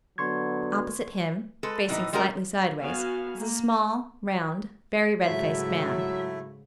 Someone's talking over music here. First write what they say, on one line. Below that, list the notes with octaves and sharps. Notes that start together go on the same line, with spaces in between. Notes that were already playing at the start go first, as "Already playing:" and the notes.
Opposite him, facing slightly sideways, was a small, round, very red-faced man.
D3 F#3 B3 C6 C#6 G#6
G#3 A4 B4
A2 E3 D#4
G3 G#3 C#4 F#4 A#4
B3 F#4 F5 G#5
A#3
G#2 C#3 F#3 A3 E4 E5